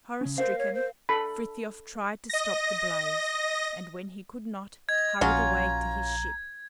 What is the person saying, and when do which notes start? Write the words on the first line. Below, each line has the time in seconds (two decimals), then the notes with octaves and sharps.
Horror-stricken, Frithiof tried to stop the blaze, and when he could not, hurried away to his ship.
0.21 C#3 C#4
0.38 A#4 C5 F5
0.59 C#5
0.75 C5
1.09 A4 B5
2.29 D#5 A#6
4.89 D#5 G#6
5.21 A#1 F#3 C#4 F4 A#5